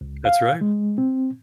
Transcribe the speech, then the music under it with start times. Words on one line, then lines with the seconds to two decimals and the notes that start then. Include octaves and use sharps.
that's right.
0.01 C#2
0.25 F5
0.61 G#3
0.98 C4